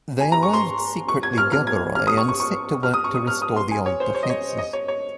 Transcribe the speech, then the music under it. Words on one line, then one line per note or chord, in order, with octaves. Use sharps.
They arrived secretly Gerberoy and set to work to restore the old defenses.
G#5
A#5
C#6
C6
C#6
G#6
F6
F6
G#6
F6
D#6
C#6
C#6
C#6
F6
D#6
C#6
D#6
F6
D#6
C6
G#5
C#5
C5
C#5
D#5
C#5
D#5
C#5
C#5